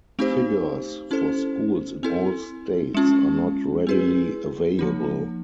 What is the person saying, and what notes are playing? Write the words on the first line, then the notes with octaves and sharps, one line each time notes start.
Figures for schools in all states are not readily available.
A3 C4 D#4 G4 C5
C#4 E4 A4 C5
C4 E4 A4
G#3 C#4 F4
C4 E4 G#4 B4
F3 A#3 D#4